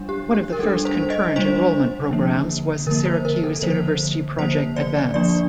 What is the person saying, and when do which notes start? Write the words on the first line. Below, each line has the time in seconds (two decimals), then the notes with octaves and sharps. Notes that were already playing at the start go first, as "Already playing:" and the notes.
One of the first concurrent enrollment programs was Syracuse University Project Advance.
Already playing: G3 D4
0.09 G4
0.35 G4
0.53 A#4
0.59 G3 A4
0.63 D4
0.85 C5
1.10 D#5
1.36 G3 D4 C5
2.11 D3 F3 A#3
2.86 D3 F3 A#3 A#4
3.05 C5
3.25 A#4
3.44 A4
3.62 D3 F3 A#3 C5
4.38 D3 F3 A#3 C5
4.76 D5
5.14 F3 A#3 D4 D5